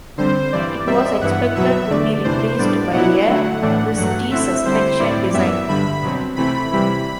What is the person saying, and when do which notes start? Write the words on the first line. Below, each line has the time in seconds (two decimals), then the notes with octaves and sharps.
It was expected to be replaced by a Christie suspension design.
0.18 D3 G3 C4 C5
0.52 G2 E3 G3 D5
0.87 B2 G3 C4 E5
1.21 G2 E3 B3 E4 F#5
1.55 E2 B2 F#3 B3 E5
1.90 E2 D3 A3 D5
2.24 E2 C3 E3 A3 D4 C5
2.59 A2 G3 B3 D4 D5
2.93 B2 F#3 B3 E4 F#5
3.28 D3 F#3 A3 E4
3.62 A2 E3 A3 D4
3.96 G2 F#3 A3 F#5
4.31 D3 A3 C4 E4 E5
4.65 D3 G3 C4 E4 C5
4.99 A2 G3 C4 E4 D5
5.34 F#2 E3 G3 B3 E5
5.68 G2 D3 G3 B5
6.02 B2 F#3 C4
6.36 C3 E3 A3 C4 E4 B5
6.71 C3 E3 G3 C4 E4 B5